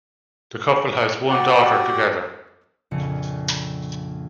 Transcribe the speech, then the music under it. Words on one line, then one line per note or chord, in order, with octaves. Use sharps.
The couple has one daughter together.
F#4 G4 D5 F#5 G5
A#1 F2 C#3 C#7